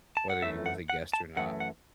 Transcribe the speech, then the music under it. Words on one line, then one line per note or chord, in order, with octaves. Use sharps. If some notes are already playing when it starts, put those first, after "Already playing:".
whether you're with a guest or not.
A5
F#5
F#2 E3 A3 E5
F#5
F#5
A5
F#2 E3 A3 F#5
F#5